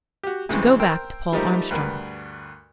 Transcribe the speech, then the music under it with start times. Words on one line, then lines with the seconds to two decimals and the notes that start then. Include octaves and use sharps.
To go back to Paul Armstrong.
0.23 F#4 G4
0.49 F2 G#2 C3 E3 C#4
0.80 A#4 C5 G5 E6
1.32 F3 G3 A3 D#4 G4 A#4
1.70 D2 G2 A#4 B4